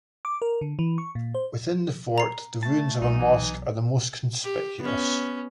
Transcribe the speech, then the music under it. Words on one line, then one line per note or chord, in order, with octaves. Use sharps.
Within the fort the ruins of a mosque are the most conspicuous.
D6
A#4
D3
E3
C#6
A#2
C5
A#5 C7
A3 A5
B1 D#4
E3
G4
B3 C#4